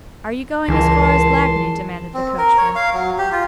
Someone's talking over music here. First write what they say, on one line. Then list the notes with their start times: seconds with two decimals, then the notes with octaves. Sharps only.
"Are you going as far as Lagny?" demanded the coachman.
0.68 C#2 E3 G#4 A#4 A5 C6
2.14 C4
2.38 A#4
2.58 C#5
2.75 F5
2.94 F#3
3.18 G4
3.32 F4